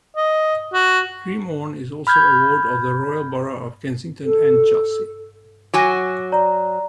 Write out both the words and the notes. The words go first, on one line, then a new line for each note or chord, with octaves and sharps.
Cremorne is also a ward of the Royal Borough of Kensington and Chelsea.
D#5
F#4
B5 F6 G6 G#6
A4
F#3 F#4 G#5 D6 A#6
D5 A#5